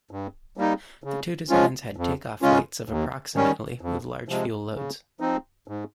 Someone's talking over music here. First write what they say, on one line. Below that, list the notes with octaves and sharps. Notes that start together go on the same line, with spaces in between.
The two designs had takeoff weights of approximately with large fuel loads.
G2
G3 A#3 D#4
C#3
F3 G#3 C#4 F4
F2
C#3 G#3 C#4 F4
D#2
D#3 G3 C#4
F2
C3 F3 G#3
C#3
F3 C4 D#4
G#2